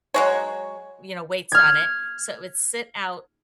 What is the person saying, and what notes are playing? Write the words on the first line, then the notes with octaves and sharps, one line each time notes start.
you know, weights on it so it would sit out,
F#3 G#3 C#5
F6 G#6